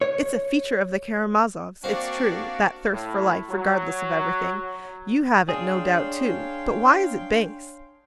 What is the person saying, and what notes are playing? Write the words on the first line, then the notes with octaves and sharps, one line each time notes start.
It's a feature of the Karamazovs, it's true, that thirst for life regardless of everything; you have it no doubt too, but why is it base?
C#5
A#3 C4 D4 F#4 D5 F5 C#6
A2
F#3
D4 G#4 C#5 F5 G5 C6